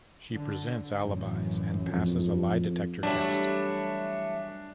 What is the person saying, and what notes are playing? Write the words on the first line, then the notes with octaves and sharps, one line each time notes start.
She presents alibis and passes a lie detector test.
D3
A1 F#2
F2
E3 F#3 G3 A3 D4 E4